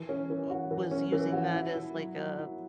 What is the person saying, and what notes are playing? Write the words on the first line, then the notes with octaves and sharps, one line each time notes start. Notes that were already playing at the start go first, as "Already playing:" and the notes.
uh was using that as, like, a
Already playing: E3
C#4
E3
F#4
E3
C#4
E3
F#4
E4
E4
F#3
F#3
E4